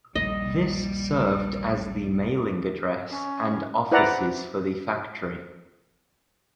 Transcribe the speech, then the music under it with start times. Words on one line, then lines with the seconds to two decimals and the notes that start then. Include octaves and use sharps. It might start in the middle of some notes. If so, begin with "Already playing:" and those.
This served as the mailing address and offices for the factory.
0.15 A#1 D#2 G3 D#5
3.10 C#4
3.92 E4 B4 C5 D5 F#5 A#5